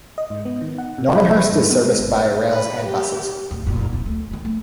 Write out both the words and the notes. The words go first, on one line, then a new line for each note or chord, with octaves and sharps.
Normanhurst is serviced by rail and buses.
D#5
G#2
B3
D#3
F#5
C3
B5
B4
G2
B3
G#3
G1
B4
G4
D1
F1 A#2
D1 C4
A3
D#3 G#3
A3